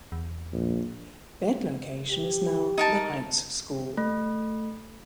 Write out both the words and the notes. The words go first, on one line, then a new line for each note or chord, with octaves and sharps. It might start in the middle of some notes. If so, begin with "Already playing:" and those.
That location is now The Heights School.
E2
A#1
G4
D#4 A#4 A5
A3